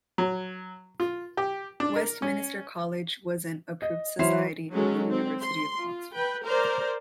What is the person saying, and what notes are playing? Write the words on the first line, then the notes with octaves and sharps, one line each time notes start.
Westminster College was an "Approved Society" of the University of Oxford.
F#3
F4
G4
D4
A#4
C#4
D#5
E3 F#3 E4 C5 F5 C7
F#3 G#3 C#4 A4
C4
C6
F4
B4 G5
A#4 C5 D5